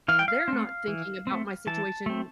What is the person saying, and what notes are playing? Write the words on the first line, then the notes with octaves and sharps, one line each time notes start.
they're not thinking about my situation,
E3 F5
G5
F5
A3 C4
E3
A3 C4
E3 A5
A3 C4